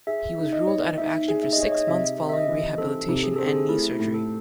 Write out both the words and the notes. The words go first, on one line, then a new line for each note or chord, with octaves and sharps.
He was ruled out of action for six months following rehabilitation and knee surgery.
G#4 E5
D#4
D#5
C#5
D#4 E5
G#4
E5
G#4 D#5
C#5
D#5
C3 E5
C4
E5
D#5
E3
C4 A4
C3
G#4
C4 A4
G#4
A3 E4
A2
A4